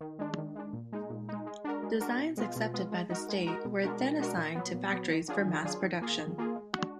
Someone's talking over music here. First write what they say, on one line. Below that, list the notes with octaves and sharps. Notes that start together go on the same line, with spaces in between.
Designs accepted by the state were then assigned to factories for mass production.
D#3
G#3 D4
D#3
G#3 D4
A#2
G#3 D#4
A#2
G#3 D#4
G#3
D4 F#4 A#4
G#3
D4 F#4 A#4
B2
G#3 B3 F4
B2
G#3 B3 F4
G#3
D#4 F#4 A#4
G#3
D#4 F#4 A#4
B2
G#3 D4 F#4 A#4
B2
G#3 D4 F#4 A#4
A#2
F#3 B3
A#2
F#3 B3
D#3
F#3 D4 F4 G#4
D#3
F#3 D4 F4 G#4
D#3
A#3 F4 G#4
D#3
A#3 F4 G#4
G#3
F#4
D4